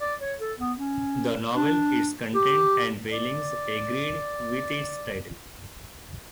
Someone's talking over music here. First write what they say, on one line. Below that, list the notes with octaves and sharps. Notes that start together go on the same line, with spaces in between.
The novel, its content and feelings agreed with its title.
D5
C#5
A4
B3
C#4
D4
G4
D5